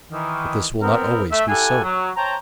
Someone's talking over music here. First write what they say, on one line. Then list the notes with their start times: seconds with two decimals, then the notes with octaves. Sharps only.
But this will not always be so.
0.11 D#3 E3
0.81 B3 C4 A#4
1.32 A3 A4 E5
1.48 E4 G4 A4 F#5 G#5
1.83 F#3
2.16 C5 C#5 G5 A5 A#5